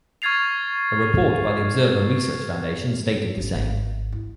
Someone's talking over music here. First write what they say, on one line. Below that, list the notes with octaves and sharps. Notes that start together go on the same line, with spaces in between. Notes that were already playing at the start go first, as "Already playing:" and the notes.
A report by the Observer Research Foundation stated the same.
C#6 F6 G#6 A6 C7 F7
G#1 C#4
G#1
E4